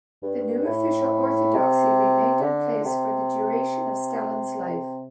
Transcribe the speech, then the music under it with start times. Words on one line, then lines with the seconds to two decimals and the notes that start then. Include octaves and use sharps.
This new official orthodoxy remained in place for the duration of Stalin's life.
0.22 G2
0.66 A2
1.54 C3
2.41 D3
2.85 C3